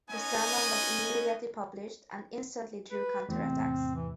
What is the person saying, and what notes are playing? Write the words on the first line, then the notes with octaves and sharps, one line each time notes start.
The sermon was immediately published and instantly drew counter-attacks.
B3 C#4 D#4 D#5 G#5
B4
E2 A2 C3 C4
E3